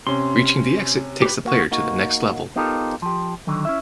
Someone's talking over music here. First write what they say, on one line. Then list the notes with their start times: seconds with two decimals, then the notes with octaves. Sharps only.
Reaching the exit takes the player to the next level.
0.07 C3 C#4 C6
1.22 G4 B4
1.45 A#3 F#4
1.72 A#3 D#4 F#4
2.56 B3 D#4 F4 G4 A4 A#4
3.02 F3 G4
3.47 D3 D#3 F#3
3.65 C#4 E4 E5